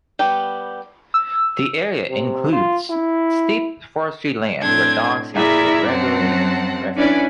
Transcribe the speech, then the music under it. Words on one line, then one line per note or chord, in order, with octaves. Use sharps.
The area includes steep forestry land where dogs have been regularly rescued.
G3 B3 G4
E6
C3
F4
E4
A2 C4 D4 G#6
A#2 E4 G#4 D5 E5 A#5
F#2 F#3 C4 F#5 A5
C#4 D4 E4 B4 D5 G#5